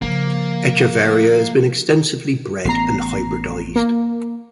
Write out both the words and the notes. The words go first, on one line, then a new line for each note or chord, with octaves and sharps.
"Echeveria" has been extensively bred and hybridised.
C#3 F3 A#3
A1 B3 A#5 C7
A#3